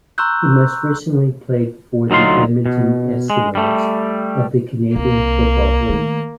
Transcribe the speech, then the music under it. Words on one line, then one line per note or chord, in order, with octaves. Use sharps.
He most recently played for the Edmonton Eskimos of the Canadian Football League.
A#5 C6 C#6 E6 F#6 G6
D2 F#3 D#4 F4 C6
B2
G#3
G3 A3
C2 A#3
D#3 A3